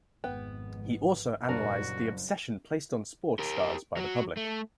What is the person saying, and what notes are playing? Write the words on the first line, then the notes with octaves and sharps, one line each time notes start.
He also analyzed the obsession placed on sports stars by the public.
G#1 F2 G#3 B3 G5
F#1 A#2 F#3 G3 D4 F#4 A#4
G4 A#4
F#3 F#4
A3